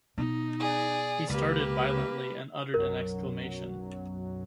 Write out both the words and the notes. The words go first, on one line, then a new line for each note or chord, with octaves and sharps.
He started violently and uttered an exclamation.
B2 D#4
G#4 D5
C#2 A#3 G4 B4
B1 F#2 F#3 A#4